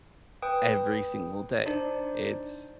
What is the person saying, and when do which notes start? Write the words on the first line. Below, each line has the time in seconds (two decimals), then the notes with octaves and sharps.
every single day. It's
0.42 B4 G5 D#6
1.66 D4 D#4 C5 D5